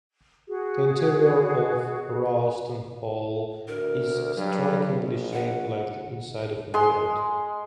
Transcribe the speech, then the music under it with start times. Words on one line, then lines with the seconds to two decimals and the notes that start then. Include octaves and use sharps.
The interior of Ralston Hall is strikingly shaped like the inside of a boat.
0.48 F#4 G#4
3.68 D2 A#4
4.37 G2 F#3
4.90 A#1
5.33 F#5
6.74 G#3 C6